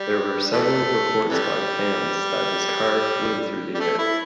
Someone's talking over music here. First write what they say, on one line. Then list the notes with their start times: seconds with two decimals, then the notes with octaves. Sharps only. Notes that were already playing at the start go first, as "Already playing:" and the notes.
There were several reports by fans that his car flew through the air.
Already playing: G3
0.53 E3 A3
1.30 C3 E3 G3
3.75 G3
3.80 A3
3.99 E4